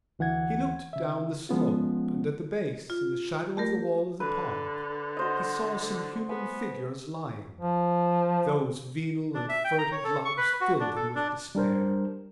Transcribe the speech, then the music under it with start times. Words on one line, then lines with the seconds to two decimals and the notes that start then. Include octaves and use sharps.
He looked down the slope and, at the base, in the shadow of the wall of the Park, he saw some human figures lying. Those venal and furtive loves filled him with despair.
0.19 D2 E3 F#5 G#6
0.93 C#3 E5
1.49 F3 G#3 B3 C#4 F4
2.90 F4
3.57 A3 G4 A#4
4.20 D3 B4
5.17 F#4 C5 D#5
6.29 B3 G#5
7.61 F3
9.34 D4
9.49 E5
9.64 G5
9.79 A#5
9.92 C#5
10.04 A4
10.25 C#6
10.37 B4
10.61 F#4
10.80 D4
10.96 A4
11.15 D4
11.55 G3 D4 A#4 C5